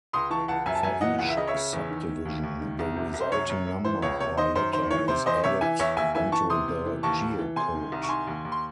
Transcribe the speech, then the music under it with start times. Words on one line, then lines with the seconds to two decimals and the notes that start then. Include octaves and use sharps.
For each subdivision, the resulting number or letter is added onto the geocode.
0.13 C#2 C6 D#6
0.30 E3 A5 C#6
0.48 C#2 F#5 A5
0.66 F#2 E5 G#5
0.75 A5
0.83 F#2 E5 G#5
1.01 E3 D#5 F#5
1.19 C#2 F#5
1.29 E5
1.37 C#3 D#5
1.47 C#5 E5
1.54 C#3
1.73 E2
1.89 D#3
2.07 D#3
2.25 D#2
2.43 D#2
2.60 D#3
2.79 C2
2.96 C3
3.14 C2
3.21 C5
3.32 F#2 C#5
3.49 F#2
3.67 F#2
3.85 E3 C5
4.02 C#2 C#5
4.20 C3 C#5
4.37 D#3 C5 D#5
4.56 F#2 C5
4.73 D#3 C5
4.91 E3 C#5
5.08 C3 C5
5.26 E2 C5 D#5
5.44 C3 C#5 E5
5.61 E3 E5 G#5
5.79 E2 C#5 E5
5.97 D#2 E5 G#5
6.15 E3 E5 G#5
6.32 E3 A5 C#6
6.50 C3 C6 D#6
6.68 C3
6.86 E3
7.03 D#2 A5 C#6
7.21 D#2
7.39 E3
7.56 C3 G#5 C6
7.75 D#3
7.92 C2
8.03 C#6
8.09 D#3 G#5 C6
8.27 D#2
8.45 D#2
8.52 C6